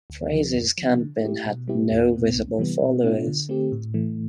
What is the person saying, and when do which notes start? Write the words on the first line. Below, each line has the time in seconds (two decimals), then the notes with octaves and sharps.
Fraser's campaign had no visible followers.
0.10 D2
0.32 D3 F3
0.55 F2
0.78 C3 F3
1.00 D3
1.22 A3 E4 G4
1.46 B2
1.68 G3 B3 E4 G4
1.91 E2
2.13 B2 B3
2.35 C2
2.59 C3 E3 G3 B3
2.82 B2
3.04 B3 D4 F4
3.27 D3
3.49 A3 C4 G4
3.72 A2
3.94 E3 A3